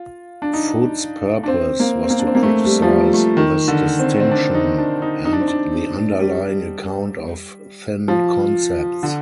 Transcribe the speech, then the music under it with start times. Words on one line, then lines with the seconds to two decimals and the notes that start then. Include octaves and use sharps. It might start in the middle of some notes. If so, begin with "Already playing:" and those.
Foot's purpose was to criticize this distinction and the underlying account of thin concepts.
Already playing: F4
0.42 D4
0.53 D#4
1.43 D4
1.48 C4
1.80 A#3
2.04 C4
2.10 A#3
2.19 D4
2.27 C4
2.35 A#3
2.43 A3
2.65 G3
2.82 F3
2.90 G3
3.14 A3
3.37 D#3
3.68 D3
3.99 C4
4.20 C4
4.31 D4
4.55 D#4
4.78 D4
5.02 D#4
5.25 D#4
5.33 D4
5.40 C4
5.48 D4
6.20 G3
8.08 F3
9.03 D3